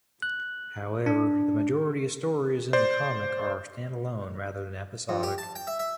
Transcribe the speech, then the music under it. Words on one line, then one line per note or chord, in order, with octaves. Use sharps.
However, the majority of stories in the comic are standalone rather than episodic.
F#6
D4
C5 D5
F2
G4
A5
G5
E5
E5